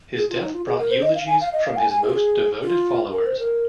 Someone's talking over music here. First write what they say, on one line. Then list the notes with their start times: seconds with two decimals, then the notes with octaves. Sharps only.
His death brought eulogies from his most devoted followers.
0.17 G#4
0.30 F4
0.41 D#4
0.54 F4
0.66 G#4
0.79 A#4
0.91 C5
1.03 D#5
1.15 F5
1.27 G#5
1.41 F5
1.53 D#5
1.65 F5
1.77 G#5
1.90 G#5
2.02 G#4
2.10 F4
2.14 G#4
2.63 F4
3.12 A#4
3.26 C5
3.39 A#4